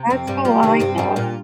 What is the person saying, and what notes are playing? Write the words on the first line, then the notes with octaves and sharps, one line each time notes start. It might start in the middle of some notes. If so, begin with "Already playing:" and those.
That's cool, I like that.
Already playing: C3
F2 C4
G2 G3
F3 G4
C3 D#3
G2 C4
G2 G3
A#2 F4